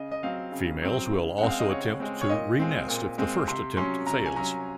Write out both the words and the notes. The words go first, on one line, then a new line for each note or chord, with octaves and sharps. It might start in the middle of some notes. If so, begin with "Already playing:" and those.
Females will also attempt to renest if the first attempt fails.
Already playing: C#3 D#5
D#5
F#3 C4 F5
C#3
F#3 C4
C#3
G#3 C4 F#5
F5
D#5
C#3 C#5
G#3 C4
C#5
A#2 D#5
G#3 C4
A#2
G#3 C4
C3 C6
F#3 C#4 C6
C3 A#5
G#5
F#3 C#4 A#5